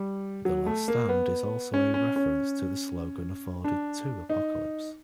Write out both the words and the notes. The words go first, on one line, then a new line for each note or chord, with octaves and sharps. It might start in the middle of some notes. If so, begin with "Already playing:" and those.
'The Last Stand' is also a reference to the slogan afforded to Apocalypse.
Already playing: G3
F#3
A3
A#3
B3
C#4
C#4
C#4
D4
D#4